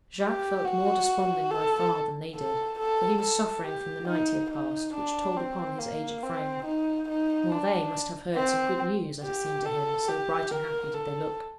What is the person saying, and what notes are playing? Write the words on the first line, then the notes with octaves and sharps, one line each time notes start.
Jacques felt more desponding by far than they did, for he was suffering from the night he had passed, which told upon his aged frame; while they must have heard some good news, as it seemed to him, so bright and happy did they look.
G4
F#4
A4
A4
A4
A4
G4
D#4
D#4
D4
C4
A#3
C4
D#4
D#4
D4
C4
G4
A4
G4
A#4
A4